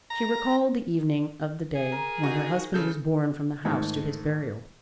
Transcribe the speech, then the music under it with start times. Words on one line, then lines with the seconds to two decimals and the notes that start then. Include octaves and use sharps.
She recalled the evening of the day when her husband was borne from the house to his burial.
0.10 A#5
1.75 G#4
1.92 A#4
2.23 D#4 F#4
2.74 C#3 A4 G6
3.65 G#2 D#3 G#3 A3